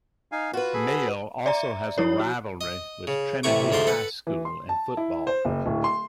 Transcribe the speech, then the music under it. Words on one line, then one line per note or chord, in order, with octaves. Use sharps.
Male also has a rivalry with Trinity High School in football.
D#4 F5 G#5
F4 F#4 B4
G#4 A4 B5
D5 E5 A#5
F3 E4 C#5
F#4
D#5
C#3
A1 C3 A3 E4 C#6 D6
D2 G#2 F3 A3 D5 C6
A4 B4 F#5
E3
C6
A5
E4
C5
F#1
D1
C6